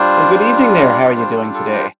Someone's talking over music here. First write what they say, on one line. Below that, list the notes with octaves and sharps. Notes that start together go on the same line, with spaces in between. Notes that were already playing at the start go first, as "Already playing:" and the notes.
Well, good evening, there. How are you doing today?
Already playing: G3 D4 F4 C5
D5
C5
A4
A4
C5